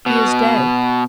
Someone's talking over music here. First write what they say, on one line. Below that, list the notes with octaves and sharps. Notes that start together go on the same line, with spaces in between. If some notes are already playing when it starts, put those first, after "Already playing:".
"He is dead."
B2